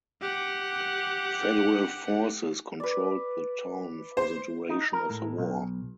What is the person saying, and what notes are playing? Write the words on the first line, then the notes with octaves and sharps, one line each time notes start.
Federal forces controlled the town for the duration of the war.
G4 F#5
B4 D5
C5
D#4
A#4
A2
B1